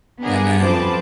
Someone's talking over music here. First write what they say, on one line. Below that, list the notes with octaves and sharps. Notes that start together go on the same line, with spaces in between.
And then
B3 D4 G#4 A#4 F#5
F2 F3 B4 C5 A5 D6